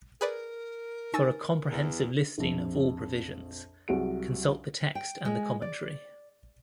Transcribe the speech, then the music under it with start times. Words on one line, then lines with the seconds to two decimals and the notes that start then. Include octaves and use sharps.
For a comprehensive listing of all provisions, consult the text and the commentary.
0.21 G#4 A#4 B4 D5
1.14 D#4 G#5 C#6 E6 A6
1.72 E2
2.38 A#1 F2
3.88 C2 F#3 F#4 G#4 D7
4.95 G5
5.25 G#3
5.62 D5